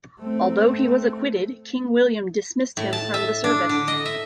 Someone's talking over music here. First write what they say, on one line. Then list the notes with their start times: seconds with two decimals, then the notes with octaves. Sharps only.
Although he was acquitted, King William dismissed him from the service.
0.20 A3 C4
2.77 A2
2.93 A5
3.14 E5
3.44 D4
3.69 D3
3.88 D#5
4.05 E5